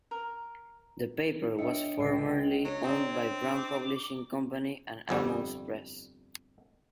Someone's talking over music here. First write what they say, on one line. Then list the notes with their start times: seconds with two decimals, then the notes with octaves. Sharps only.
The paper was formerly owned by Brown Publishing Company and Amos Press.
0.11 A#4
1.58 D4 C#5 D#5 E5 G5 C#7
1.98 C#2 C7
2.65 F#3 C#5
2.84 C4 D5 A#5 D#6
3.56 D6
5.09 G1 F2 G3